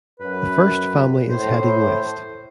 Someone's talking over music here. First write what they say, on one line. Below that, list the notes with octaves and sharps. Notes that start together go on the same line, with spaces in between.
The First Family is heading west.
F#2 B4
A2 C5